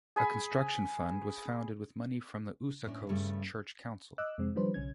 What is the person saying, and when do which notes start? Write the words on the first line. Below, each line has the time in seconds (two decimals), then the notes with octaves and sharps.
A construction fund was founded with money from the Usakos church council.
0.16 G#4 G#5 B5
2.86 A2 C#4 D4
3.09 G2 C#3 G3 A3
4.18 D#5 D6 E6 F#6
4.38 F2 C3 G#3 C4
4.55 D#3 F3 G3 D4 B4 C5
4.74 B1 C#3 C#4 G#6